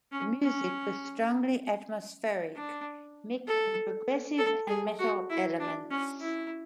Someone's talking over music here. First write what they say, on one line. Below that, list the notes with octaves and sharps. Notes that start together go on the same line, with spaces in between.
The music was strongly atmospheric mixing progressive and metal elements.
C#4
C#4
D4
A4
A4
G#4
F#4
E4
D4
C#4
E4